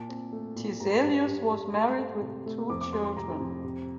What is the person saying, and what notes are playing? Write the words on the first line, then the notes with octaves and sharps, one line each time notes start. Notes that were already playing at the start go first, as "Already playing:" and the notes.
Tiselius was married, with two children.
Already playing: A#2 A5
C4
A3
A#2
G2 A#5
G2
G2
G2
A3 C6
A3
C3
A3
F2 D6
D6
G3 C6
C6
C3 A#5
F2
C3